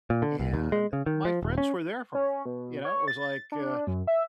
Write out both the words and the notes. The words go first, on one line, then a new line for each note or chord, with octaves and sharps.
and, uh, my friends were there for me, you know, it was like, uh,
A#2
D3
C2
D#2
G#3
C#3
D#3
F3
D#1
C#4
C#4
B2
C#5
A6
D4
F#2
E5